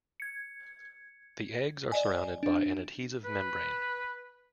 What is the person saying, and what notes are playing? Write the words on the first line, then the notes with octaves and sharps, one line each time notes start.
The eggs are surrounded by an adhesive membrane.
G#6 C#7
D5 D#5 G#5
D4
B4